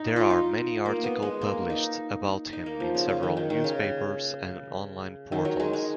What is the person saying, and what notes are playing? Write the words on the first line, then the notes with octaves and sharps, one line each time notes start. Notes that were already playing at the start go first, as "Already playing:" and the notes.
There are many article published about him in several newspapers and online portals.
Already playing: D#4
F4
D#4
A#3
B3
G#3
A#3
D#4
D#4
A#3
F3
C#3
C#3
D#3
D#3
D#3
C#3
D#3
F#3
G#3
G#3